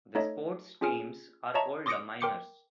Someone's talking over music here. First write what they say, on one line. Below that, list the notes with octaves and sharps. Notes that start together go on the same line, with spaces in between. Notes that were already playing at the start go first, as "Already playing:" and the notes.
The sports teams are called the Miners.
A3 D#4 A4 C#5 D#5 E5
C#4 F4 G#4 G#5 F6
C#5 D#5 E5 A5 A#5 C#6
C6 D6 D#6 A#6 C#7 D7
A#4 G5 C6 D6 G6 C#7